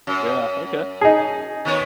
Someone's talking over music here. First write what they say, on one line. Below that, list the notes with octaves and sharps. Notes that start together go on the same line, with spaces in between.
Yeah. Okay.
F#2
D#4 G#4
D#3 B3 C#5